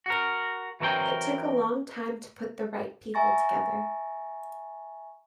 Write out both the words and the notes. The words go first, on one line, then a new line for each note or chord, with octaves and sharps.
It took a long time to put the right people together.
F#4 A#4
E3 F#3 C4 A#4 G5
E5 G#5 A#5 C#6 A6 A#6